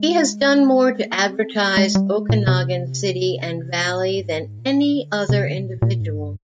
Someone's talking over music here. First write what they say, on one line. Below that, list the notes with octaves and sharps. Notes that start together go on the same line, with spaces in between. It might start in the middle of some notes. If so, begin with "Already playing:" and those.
He has done more to advertise Okanogan city and valley than any other individual.
Already playing: G#3
A#3
C4
A#3
G#3
G3
G#3
A#2
C3
A#2
G2
G#2
A#2
D3
C3
D3
C3
A#2
A#2
G#2
G2